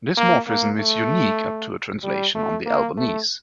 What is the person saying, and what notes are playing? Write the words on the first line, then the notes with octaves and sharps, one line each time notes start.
This morphism is unique up to a translation on the Albanese.
A#3
A#3
A3
G3
A3
A#3
A3